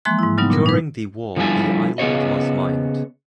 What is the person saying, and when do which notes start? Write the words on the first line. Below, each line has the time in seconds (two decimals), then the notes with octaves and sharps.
During the war the island was mined.
0.05 E3 F3 G#3 A#3 C6 F#6
0.19 G#2 E4
0.38 C#3 F#3 G3 B3 D#4
0.50 A#2 A#4
0.66 D#4 B4
1.36 D3 F3 G3 E4 G#5 A5
1.98 C#3 B3 G#4 C#5 D#5